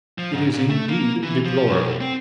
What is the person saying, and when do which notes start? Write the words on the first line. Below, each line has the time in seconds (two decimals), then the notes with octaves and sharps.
It is indeed deplorable.
0.18 F3
0.33 G#2
0.53 A#2
0.69 A3
0.89 A#3
1.24 E3
1.45 F3
1.68 B1
2.01 C4